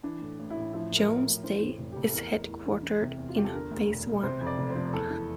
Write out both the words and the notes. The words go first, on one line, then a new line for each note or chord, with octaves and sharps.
Jones Day is headquartered in Phase I.
E3 D4
A2
A1
E4
A1
F3 E4
A2
A#4
A1
A1
E3 C5
F2
F1
F1 G4
A4
E2 A#4
E3
E2
E3
E3
C3
E2
F4
E2 G4
A4
D3 A#4
D2
E1
E1
C3 C5
F2
D5
F1
C5
F3
E2 A4
E3